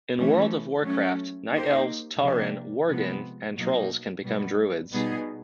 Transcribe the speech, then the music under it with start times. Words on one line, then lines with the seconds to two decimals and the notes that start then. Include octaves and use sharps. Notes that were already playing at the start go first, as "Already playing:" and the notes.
In "World of Warcraft", Night Elves, Tauren, Worgen, and Trolls can become druids.
0.17 E3 A3 C#4
0.84 F#3 A3 C#4
1.52 A#3 D#4 G4 C5
2.19 C3 F3 A#3 D4 G4
2.88 C3 F3 G#3 B3
3.55 B2 F#3 A#3 D#4
4.23 B2 G3 B3
4.91 B2 G3 B3 D#4 G#4